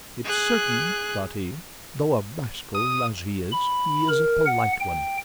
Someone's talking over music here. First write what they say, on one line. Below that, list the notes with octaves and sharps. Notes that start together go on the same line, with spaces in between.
"It's certain," thought he, "though rascal as he is, he is a polite one!"
G#4 F#6
D#6
B5
A#4
F#5
G5